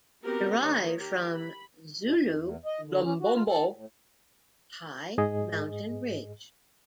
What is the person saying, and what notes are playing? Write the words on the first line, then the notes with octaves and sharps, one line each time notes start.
Derived from Zulu Lumbombo, 'high mountain ridge'.
B3 C4 F#4 G4 A#4
D#3 A#3 D#4 C#5
G4 A#4
B5
B2
F2
E2
D#5
D3
C#4
F#4
F4
A4
A2
G#2 G#4 D#5